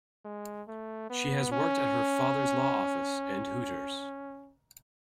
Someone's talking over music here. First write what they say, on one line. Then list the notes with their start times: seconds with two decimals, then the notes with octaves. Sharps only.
She has worked at her father's law office and Hooters.
0.25 G#3
0.68 A3
1.10 B3
1.52 C#4